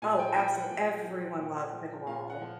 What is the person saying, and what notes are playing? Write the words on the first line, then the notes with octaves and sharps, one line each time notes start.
Oh, absolu everyone loves pickleball.
A#2 G#5
G5
F3 G5
F#5
A#2
F3
A#2
F3
A#2 F5
F#5
F3